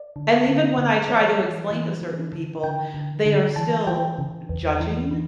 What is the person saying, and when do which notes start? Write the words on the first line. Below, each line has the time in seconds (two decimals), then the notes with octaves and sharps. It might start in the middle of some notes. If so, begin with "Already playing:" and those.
And even when I try to explain to certain people, they are still judging
Already playing: D5
0.16 D3
0.47 D3
0.78 D3
1.08 E3 C#5
1.40 E3
1.71 E3
2.02 E3
2.33 D3
2.64 D3 G5
2.94 D3
3.26 D3
3.56 E3 A5
3.87 E3 G5
4.18 C#3
4.49 E2
4.80 E3
5.11 E3